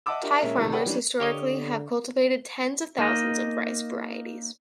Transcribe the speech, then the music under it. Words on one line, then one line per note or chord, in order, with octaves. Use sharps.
Thai farmers historically have cultivated tens of thousands of rice varieties.
D#5 E5 F#5 A5 D6 E6
D4 G4 A#4 E5
A#2 G#3 C#4 A#4 E5
A1 C3 D#3
G#4 B4 C#5 D5 F#5 G5
E3 G3 A#3 C#4 D4
D3 G4 C#5 D#5
A#3 D#4 D#5